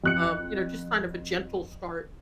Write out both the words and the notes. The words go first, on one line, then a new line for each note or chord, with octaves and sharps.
um, you know, just kind of a gentle start,
F2 F#6 C#7